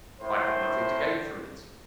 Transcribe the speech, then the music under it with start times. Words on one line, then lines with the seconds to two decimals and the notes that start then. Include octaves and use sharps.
I had nothing to gain from it.
0.22 A2 C5